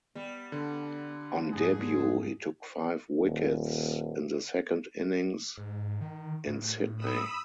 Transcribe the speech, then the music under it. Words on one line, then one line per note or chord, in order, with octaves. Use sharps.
On debut, he took five wickets in the second innings in Sydney.
G3 B3
D3
F2 G#2 G#3 G#4
D#1
G#2
D#3
A2
B5 D#6 E6